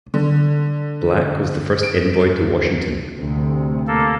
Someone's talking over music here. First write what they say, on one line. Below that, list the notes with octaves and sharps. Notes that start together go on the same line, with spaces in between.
Blak was the first envoy to Washington.
D3
D7
D2 C3
A#3 A4